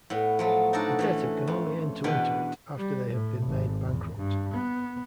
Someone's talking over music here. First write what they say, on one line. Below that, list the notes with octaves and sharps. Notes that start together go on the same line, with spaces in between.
A debtor can only enter into it after they have been made bankrupt.
A2 B3
F3 F#3 A3
D4 D#4 F#4 A4 D5
E3 A3 C#4
F2
E2 B2 D4 B4 G5
G3
A2
G#1
E2
G2
B3